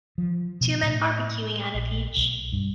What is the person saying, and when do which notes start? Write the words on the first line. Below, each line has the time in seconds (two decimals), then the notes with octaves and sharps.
Two men barbecuing at a beach.
0.18 F3
0.61 B2
0.82 A2
1.74 A#1
2.17 B1
2.53 G2